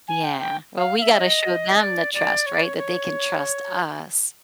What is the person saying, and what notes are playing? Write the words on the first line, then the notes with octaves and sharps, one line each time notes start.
Yeah, well, we gotta show them the trust, right, that they can trust us,
G#5
G5
G5
F5
F5
E5
D#5
D5
D5
C#5
D5
C#5
C#5